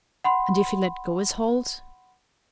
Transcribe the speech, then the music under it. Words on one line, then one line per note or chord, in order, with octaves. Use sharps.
And if he let go his hold?
F#5 B5 C6